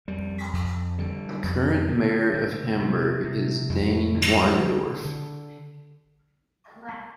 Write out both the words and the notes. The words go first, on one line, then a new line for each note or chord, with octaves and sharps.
The current mayor of Hamburg is Dane Weindorf.
F2 G3
F2
D3 G3
F2
D3
D3
C3
C3
F2 G#3
D3
D3
D3